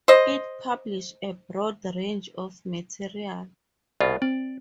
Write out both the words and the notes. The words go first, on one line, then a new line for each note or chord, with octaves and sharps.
It published a broad range of material.
C5 D#5
C2 B2 F4 D5
C4 D5